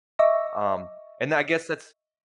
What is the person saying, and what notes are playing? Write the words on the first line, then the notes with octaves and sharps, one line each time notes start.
Um, and then I guess that's
D#5 E5 C#6 D6 E6 A#6